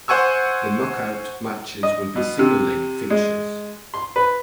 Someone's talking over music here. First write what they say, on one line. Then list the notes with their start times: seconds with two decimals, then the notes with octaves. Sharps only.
The knockout matches will be single leg fixtures.
0.08 C5 F#5 G#5 C#6 E6
1.83 D#5
2.16 B2
2.39 C3
3.10 G#3
3.94 C6
4.16 B4